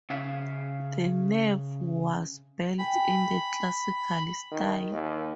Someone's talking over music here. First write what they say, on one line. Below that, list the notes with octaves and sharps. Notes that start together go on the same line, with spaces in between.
The nave was built in the classical style.
C#3 E5 F5
G5 G#5 B5
D#3
D#2